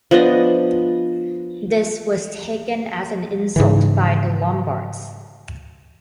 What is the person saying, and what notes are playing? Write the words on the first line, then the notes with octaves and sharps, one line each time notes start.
This was taken as an insult by the Lombards.
F3 B3 D4 D#5
G#2 C#3 E3